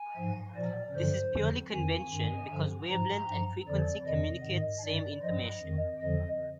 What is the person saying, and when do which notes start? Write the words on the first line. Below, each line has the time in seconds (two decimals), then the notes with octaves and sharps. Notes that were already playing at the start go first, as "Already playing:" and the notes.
This is purely convention because wavelength and frequency communicate the same information.
Already playing: G#5
0.17 G#2 F3
0.56 A#2 F3 D5
0.95 G2 D3 F3 C5
1.33 F2 D3 F3
1.73 F2 D#3 G#5
2.11 G2 D#3
2.51 G2 D3 F3
2.89 G#2 F3 A#5
3.28 G2 F3
3.67 F2 D3 F3 D5
4.06 F2 C3 D#3 D#5
4.45 G#2 D#3
4.83 G2 D#3 D5
5.23 G2 F3 D#5
5.62 F2 D#3
6.01 F2 D3 F3 D#5